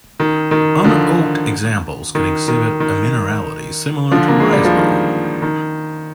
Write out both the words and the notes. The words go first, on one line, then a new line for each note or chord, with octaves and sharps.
Unoaked examples can exhibit a minerality similar to Riesling.
D#3
D#3
D3 F3
D#3
D#3
D#3
D3 F3
A#3
G#3
G3
F3
D#3
D#3